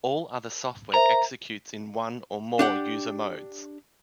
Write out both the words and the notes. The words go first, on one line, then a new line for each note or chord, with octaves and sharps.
All other software executes in one or more user modes.
A#4 C5 E5 A#5
D4 G4 F#5